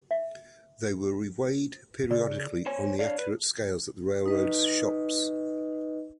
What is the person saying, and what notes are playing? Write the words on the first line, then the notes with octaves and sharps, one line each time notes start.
They were reweighed periodically on accurate scales at the railroad's shops.
E5
C#3 D5
C5 C#5 G#5
D4 C#5 D5 F5
B4
D#4 B4 D#5